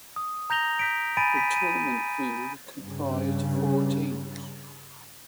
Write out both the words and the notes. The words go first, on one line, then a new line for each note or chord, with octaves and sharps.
The tournament field comprised four teams.
D#6
A#5 G6 A#6 F7 G7
G6 B6 D7
G#5 B5 A6 D7 D#7
B6 D#7
D#7
G2 C#3